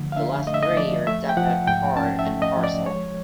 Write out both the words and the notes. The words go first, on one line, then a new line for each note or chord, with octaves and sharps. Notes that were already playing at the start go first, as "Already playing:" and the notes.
The last three are definite part and parcel.
Already playing: D3 F3 A3
F5
D4 E5
A3 D#5
E5
D#5
F3 D5
A3 E5
G5
F3 F#5
G#2 G5
C#4 A5
E5
A3
D#5
F3
D5
G#3 C#5